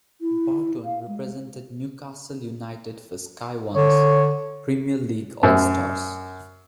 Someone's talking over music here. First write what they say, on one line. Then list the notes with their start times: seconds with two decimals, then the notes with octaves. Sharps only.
Barton represented Newcastle United for Sky One's "Premier League All Stars".
0.21 E4
0.85 F5
1.08 G#3
3.75 D3 C#5
5.43 F#2